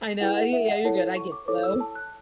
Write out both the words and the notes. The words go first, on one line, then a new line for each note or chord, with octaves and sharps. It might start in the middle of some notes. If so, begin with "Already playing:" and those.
I know, yeah, yeah, you're good I get you though.
E4 G#4 B4 F#5
F#5
E5
F#5
E4 A4 C#5 A5
C#6
D6
E4 A4 C#5 D6
E6
A5
F#6